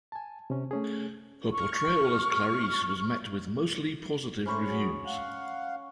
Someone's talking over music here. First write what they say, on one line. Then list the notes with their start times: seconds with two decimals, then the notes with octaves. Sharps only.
Her portrayal as Clarisse was met with mostly positive reviews.
0.12 G#5 A5
0.50 C3 C#4
0.71 A3 C#4 G#4
1.52 C#6 F6
4.46 A3 C#4 C5 B5 C#6
4.64 F#2 F#3 G#4
5.06 F5 F#5